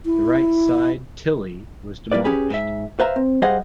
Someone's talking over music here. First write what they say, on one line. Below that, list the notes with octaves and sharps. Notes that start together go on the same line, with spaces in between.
The right-side Tillie was demolished.
E4
G3 A#3 E4 B4 D5
C#4 G4 G#4 B4
G#2 E5
B4 C5 E5 F5 A#5
C4
G3 G#4 C5 D#5 F5 F#5